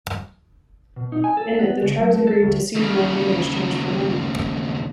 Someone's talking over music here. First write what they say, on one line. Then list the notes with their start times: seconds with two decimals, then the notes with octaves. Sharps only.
In it the tribes agreed to cede land in exchange for money.
0.96 B2
1.12 D#4
1.24 G#5
1.37 A4
1.59 B3
1.82 C#2
1.98 F#3
2.14 A3
2.27 A4
2.42 D2
2.75 D#2 C#3